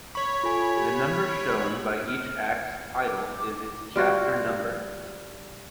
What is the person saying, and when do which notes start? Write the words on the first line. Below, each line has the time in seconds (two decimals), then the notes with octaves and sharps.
The number shown by each Act's title is its chapter number.
0.15 C#5 B5 C#6
0.43 F4 A4 G#5
0.77 G4
2.08 F6
3.04 D6
3.96 G3 F4 F#4